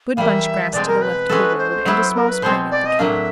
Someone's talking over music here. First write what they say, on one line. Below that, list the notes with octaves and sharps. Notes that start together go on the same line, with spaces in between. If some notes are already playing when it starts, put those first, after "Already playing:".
Good bunch-grass to the left of the road, and a small spring at the camp.
E3 G3 A#3 E5 F5
B2 G#3 C4 D5
A#4
B4
G#3 C#4 F#4 A4
C5
F#3 B3 E4
A#4
B4
B2 G#3 C4 C5
D5
D#5
A2 F#3 A#3 D4 E5 F5